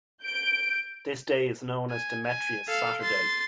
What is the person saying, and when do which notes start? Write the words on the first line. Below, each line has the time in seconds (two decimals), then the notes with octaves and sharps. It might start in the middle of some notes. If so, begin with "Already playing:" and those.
This day is known as Demetrius Saturday.
0.23 G6 D7
1.91 G#5
2.26 G#5
2.67 A4 F5
3.01 C6 A6